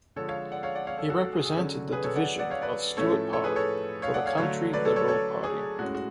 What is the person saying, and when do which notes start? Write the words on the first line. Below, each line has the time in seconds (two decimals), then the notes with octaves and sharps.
He represented the division of Stuart Park for the Country Liberal Party.
0.16 D3 F3 G#3 A4 C#5
0.28 C#5 F5
0.52 D5 F#5
0.63 C#5 F5
0.75 D5 F#5
0.87 C#5 F5
0.98 A4 C#5
1.10 F#4 A4
1.21 F#4
1.33 G#4
1.45 G#4
1.57 D3 F#3 C#4
1.92 G#4 B4
2.04 A4 C#5
2.15 D5 F#5
2.39 D5 F#5
2.50 C#5 F5
2.62 B4 D5
2.97 A2 F3 A3 C#4 A4 C#5
3.33 A4 C#5
3.44 G#4 B4
3.56 A4 C#5
4.02 C#5 F5
4.14 D5 F#5
4.26 C#5 F5
4.37 D3 F#3 A3 C#5 F5
4.73 B4 D5
4.85 A4 C#5
4.96 A4 C#5
5.08 A4 C#5
5.43 G#4
5.78 A2 G#3 C#4 F#4
5.95 F#4